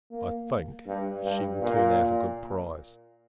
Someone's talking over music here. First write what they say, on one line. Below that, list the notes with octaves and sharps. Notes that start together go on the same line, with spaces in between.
I think, she will turn out a good prize.
A#3
G2
G2
A#2